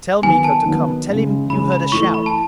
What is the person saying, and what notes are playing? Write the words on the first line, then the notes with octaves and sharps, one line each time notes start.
Tell Miko to come--tell him you heard a shout.
D#3 F#3 B3 G#5
A5
D#3 F#3 B3
C#3 G#3 C#4
C#3 G#3 C#4 B5
B5
E3 A3 E4 C#6
B5
A5